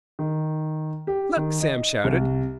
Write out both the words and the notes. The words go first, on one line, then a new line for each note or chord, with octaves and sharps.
"Look!" Sam shouted.
D#3
G4
D#3
D#5
C2